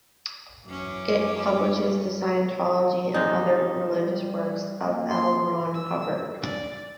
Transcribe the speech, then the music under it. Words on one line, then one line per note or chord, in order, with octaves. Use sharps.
It publishes the Scientology and other religious works of L. Ron Hubbard.
F#2 E3 C#4 D6
G#3 D#4 G4
G3
A#3
C6
E6
D5